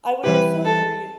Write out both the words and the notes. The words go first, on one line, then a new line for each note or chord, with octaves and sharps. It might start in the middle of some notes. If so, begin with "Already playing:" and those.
I would also agree
E3 G3 C4 E4 G4 B4
A4